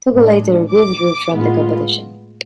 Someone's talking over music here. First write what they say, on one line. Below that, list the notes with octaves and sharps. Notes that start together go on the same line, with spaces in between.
Togo later withdrew from the competition.
A2 G#3 D4
D6
A2 G#3 B3 F4